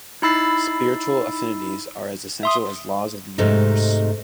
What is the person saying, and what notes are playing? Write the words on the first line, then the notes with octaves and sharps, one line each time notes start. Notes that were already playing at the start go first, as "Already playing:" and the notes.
Spiritual affinities are as essential as laws of the universe.
D#4 E4 B5 E6 A6 C7
E5 C6 D#6
G#2 C3 A3 D#4